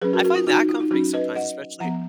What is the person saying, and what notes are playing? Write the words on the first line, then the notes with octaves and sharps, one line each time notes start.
I find that comforting sometimes, especially
F#3 C#4 G#4 B4
F#4 A#4
F#4 A#4
F4
D#4 F#4
D#4
F4
D#4
F#3 C#4 D#4 F#4
B4 D#5
D#5 F#5
F3 B3 F#5 A#5